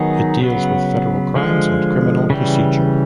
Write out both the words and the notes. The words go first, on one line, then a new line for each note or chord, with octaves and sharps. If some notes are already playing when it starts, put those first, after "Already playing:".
It deals with federal crimes and criminal procedure.
Already playing: D#3 F#3 B3 D#4 G#4
C#3 F#3 B3
D3 F3 G#3
C#3 E3 G3